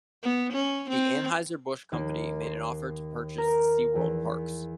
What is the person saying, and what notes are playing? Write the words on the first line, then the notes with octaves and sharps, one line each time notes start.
The Anheuser-Busch Company made an offer to purchase the SeaWorld parks.
B3
C#4
C4
D#2
C6
A#4
E2